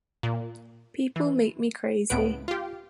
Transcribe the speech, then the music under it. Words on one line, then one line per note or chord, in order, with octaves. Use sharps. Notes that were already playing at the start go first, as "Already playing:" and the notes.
People make me crazy!
A#2
E3
C#2 A2 B3 C4 B4 D7
F4 G4